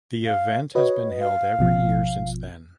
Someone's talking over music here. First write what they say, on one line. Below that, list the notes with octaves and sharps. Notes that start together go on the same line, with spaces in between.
The event has been held every year since then.
F5
F#4 B4 C#5 D#5
F5
G#1 B2 F3